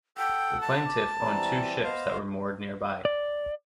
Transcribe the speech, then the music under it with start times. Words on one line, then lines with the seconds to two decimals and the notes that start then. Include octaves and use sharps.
The plaintiff owned two ships that were moored nearby.
0.17 A4 F#5 G5 E6
0.61 A5
0.86 D6
1.19 E3 G3 C4 A#5
1.83 B3 C5 D#5 F5
3.05 D5